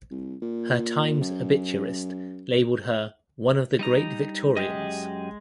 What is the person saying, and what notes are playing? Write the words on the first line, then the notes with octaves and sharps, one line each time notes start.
Her "Times" obituarist labelled her "one of the great Victorians".
C2
A#2
F#2
G3 D#4 A#5
F#2 G#3 G4 D#5